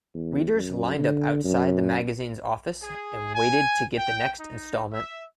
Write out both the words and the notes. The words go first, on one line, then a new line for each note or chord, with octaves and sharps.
Readers lined up outside the magazine's offices, waiting to get the next instalment.
E2
F#2
D3
F#2
G#4
G#5
G5
D#4
E5